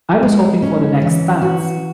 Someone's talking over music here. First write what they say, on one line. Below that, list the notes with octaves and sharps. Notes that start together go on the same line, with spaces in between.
I was hoping for the next dance.
G#3
C#4
E3
F#4